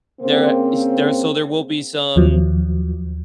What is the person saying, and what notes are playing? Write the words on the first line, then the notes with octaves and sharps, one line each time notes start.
there ish there so there will be some
C#3 A#3 C4
D#2 F3 F#3